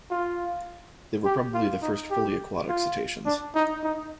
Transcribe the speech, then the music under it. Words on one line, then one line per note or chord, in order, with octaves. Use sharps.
They were probably the first fully aquatic cetaceans.
F4
G4
F4
D#4
G4
F4
D4
D#4
D#4